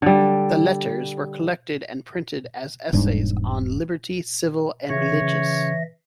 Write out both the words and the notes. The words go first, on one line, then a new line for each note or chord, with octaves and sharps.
The "Letters" were collected and printed as "Essays on Liberty, Civil and Religious".
D3 G3
E1 G#2 G3 D4
C#3 E3 C#5 E5 A#6